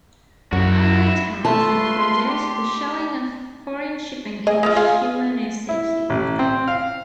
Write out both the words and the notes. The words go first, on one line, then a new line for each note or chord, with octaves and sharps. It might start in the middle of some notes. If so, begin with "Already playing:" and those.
Other attacks included the shelling of foreign shipping in Shimonoseki.
F#2 E4 F#4
A3 F4 B4 A5 C6
G4
G#4 D#5
G#3 C4 F4
F4 G#4 F5
E4
A1
C4
F5